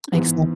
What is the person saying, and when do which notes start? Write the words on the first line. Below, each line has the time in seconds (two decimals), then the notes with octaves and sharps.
Makes sen
0.12 G#2 E3 G#3 B3